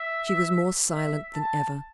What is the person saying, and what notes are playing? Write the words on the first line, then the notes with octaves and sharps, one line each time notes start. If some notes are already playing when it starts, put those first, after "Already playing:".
She was more silent than ever.
Already playing: E5
E5
A5